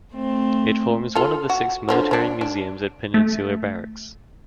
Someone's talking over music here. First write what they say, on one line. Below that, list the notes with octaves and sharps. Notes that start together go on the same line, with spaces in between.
It forms one of the six military museums at Peninsular Barracks.
A3 C4
F4 A4
F#4
D3 F3 F#3
F#3 D4
D4
A3